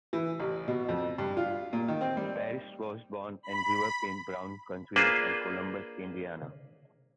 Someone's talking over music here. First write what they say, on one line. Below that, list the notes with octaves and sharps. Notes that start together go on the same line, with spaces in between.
Paris was born and grew up in Brown County and Columbus, Indiana.
E3
A1
B2
F2
G2
F4
A#2
D#3
C4
G3
B5
A#3 D4 F4 G#4 B4 C5